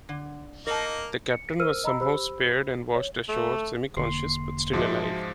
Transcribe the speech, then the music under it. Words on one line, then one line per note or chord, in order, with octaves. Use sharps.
The Captain was somehow spared and washed ashore semi-conscious, but still alive.
D3
A#3 D#4 A#4 A5
C#7
A#4 C5 E6 F6 D#7
D#5 A#5 B5 E6
G4 C5 B5 E6
C#5
A3
E1 D3 A#3 C6 C7
G#2 F3 G#3 F#4 E5